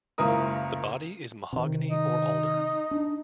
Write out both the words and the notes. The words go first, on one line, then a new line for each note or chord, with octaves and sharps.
The body is mahogany or alder.
F#1 C#2 C#3 E4 A#4 D#6
C3 D#3
D#4
D4